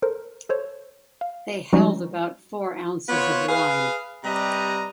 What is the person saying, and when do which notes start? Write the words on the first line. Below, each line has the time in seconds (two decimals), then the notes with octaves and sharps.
They held about four ounces of wine.
0.02 A4 A#4 C5
0.49 A4 C5 C#5
1.21 F5
1.73 F3 G3 G#3 C#4 D#4 F#4
3.09 B3 F4 C5 C#5
3.48 G#4 B4 F5
4.24 C3 G3 B4 D#5 A#5